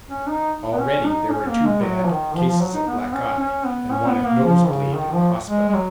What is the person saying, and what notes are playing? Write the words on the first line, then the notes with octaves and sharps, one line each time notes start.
Already there were two bad cases of black eye, and one of nosebleed, in the hospital.
C#4
D#4
B3
C#4
D#4
C#4
A#3
G#3
F#3
F3
D#3
F3
F3
F#3
D#4
B3
C#4
C#4
B3
C#4
B3
A#3
F3
C#3
D#3
F3
G#3
G#3
F#3